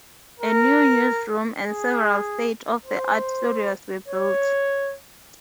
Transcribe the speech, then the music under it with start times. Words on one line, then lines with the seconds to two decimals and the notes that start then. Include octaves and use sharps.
A new newsroom and several state-of-the-art studios were built.
0.40 A#4
1.63 G#4
2.86 C5
4.08 C#5